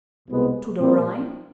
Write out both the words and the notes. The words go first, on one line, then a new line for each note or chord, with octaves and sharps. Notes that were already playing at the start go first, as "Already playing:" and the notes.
To the Rhine?
C2 B2 G#3 B3
A#2 G3 A#3 C4